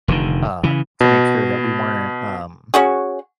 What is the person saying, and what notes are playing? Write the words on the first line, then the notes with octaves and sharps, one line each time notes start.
uh, to make sure that we weren't, um,
F1 D3 D#3
C#3 E3
B2
C#4 F#4 G#4